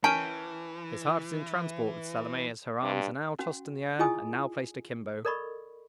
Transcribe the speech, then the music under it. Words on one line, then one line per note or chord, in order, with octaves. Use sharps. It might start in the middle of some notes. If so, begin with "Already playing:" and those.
His heart is in transport with Salome as her arms are now tossed in the air, and now placed akimbo.
E3 C#4 A#4 C#5 G5 A5
G2
C#4 F#4 F#5
E4 F4 G#4 D#5 G#5 D#6
A4 A#4 D5 D#5 B5 C#6